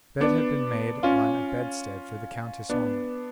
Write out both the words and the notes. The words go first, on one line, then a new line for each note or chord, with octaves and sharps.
A bed had been made on a bedstead for the countess only.
B3 D4
C#4 F4
B3 D4